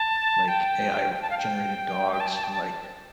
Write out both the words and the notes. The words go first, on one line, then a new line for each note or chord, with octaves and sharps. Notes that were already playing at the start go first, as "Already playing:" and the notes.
like AI r generated dogs in, like
Already playing: A5
G5
G5
A5
F5
G5
G5
A5
G5
A5
G5
A5